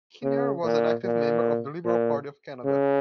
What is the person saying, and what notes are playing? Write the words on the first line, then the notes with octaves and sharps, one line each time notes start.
Kinnear was an active member of the Liberal Party of Canada.
C#3
A#2
A#2
A#2
C#3